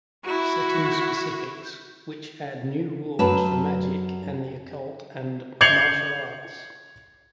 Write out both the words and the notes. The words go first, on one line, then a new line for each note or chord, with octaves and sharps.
Setting Specifics, which add new rules for magic and the occult, and martial arts.
E4 F#4
F#2 F#3 B4 A5
G6 G#6 C7 C#7 F7 F#7